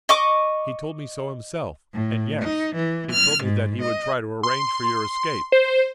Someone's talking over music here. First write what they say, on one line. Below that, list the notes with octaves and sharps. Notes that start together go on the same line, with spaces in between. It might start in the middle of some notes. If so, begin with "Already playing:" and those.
He told me so himself, and--yes, he told me that he would try to arrange for your escape.
D#5 C#6 D6
A2
D#4
E3
F6
G#2
D#5
C6
C5